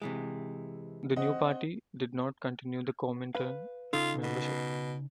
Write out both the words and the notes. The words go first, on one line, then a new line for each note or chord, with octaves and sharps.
The new party did not continue the Comintern membership.
C3 E3 G#3
C4 D#5 F#5
B4 F5
C#3 D#4 F4 A4
B2